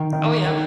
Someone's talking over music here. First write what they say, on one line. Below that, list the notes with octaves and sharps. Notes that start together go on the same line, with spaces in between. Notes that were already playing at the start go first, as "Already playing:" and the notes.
Oh yeah,
Already playing: D#3
D#3
D#3